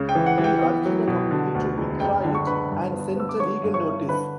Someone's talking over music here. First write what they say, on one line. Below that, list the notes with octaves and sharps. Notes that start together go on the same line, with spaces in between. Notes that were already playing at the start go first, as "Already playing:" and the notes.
He urged the company to withdraw it and sent a legal notice.
Already playing: C#2 C#3
G5
E3
F#5
E3
G5
B3
F#3
B2
D3
D2
E1
F#1 G5
D3
C#6
D3 B4 B5
G2
B3
B3 E6
D6
D3 C#5 C#6
G2
C#5 C#6
E4
D3 B4 B5